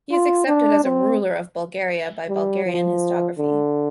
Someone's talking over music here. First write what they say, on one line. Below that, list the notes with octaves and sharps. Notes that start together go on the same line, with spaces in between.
He is accepted as a ruler of Bulgaria by Bulgarian historiography.
F4
D4
C4
G3
F3
D3